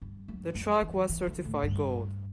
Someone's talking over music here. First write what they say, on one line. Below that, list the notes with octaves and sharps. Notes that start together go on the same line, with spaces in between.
The track was certified gold.
G2
F#2
F#2
E3
E3
D3
A2
G2